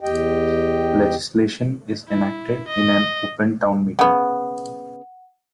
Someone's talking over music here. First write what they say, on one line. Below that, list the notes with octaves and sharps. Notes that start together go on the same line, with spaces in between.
Legislation is enacted in an Open Town Meeting.
E2 G4 D#5 G5
E4
D#5
C#3 B3 F#5